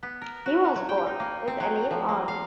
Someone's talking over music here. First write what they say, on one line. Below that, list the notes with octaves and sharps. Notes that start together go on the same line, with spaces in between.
He was born with a lame arm.
B3
A#4
F#4
F#3
G5
D#4
A#3
C4
F#3
F3
A#3
F5